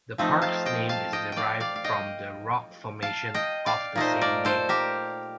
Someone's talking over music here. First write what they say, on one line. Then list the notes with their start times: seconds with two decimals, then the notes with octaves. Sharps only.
The park's name is derived from the rock formation of the same name.
0.18 F3 A3 C4 D#4
0.42 F5 A5
0.66 D#5 G5
0.89 F5 A5
1.13 D#5 G5
1.32 D5 F5 G5
1.60 D5 F5
1.76 F5
1.84 D#5 G5
3.02 F5 A5
3.34 D#5 G5
3.66 D5 F5
3.96 A#2 A3 D#4 C5 D#5
4.21 A#4 D5
4.45 A4 C5
4.69 G4 A#4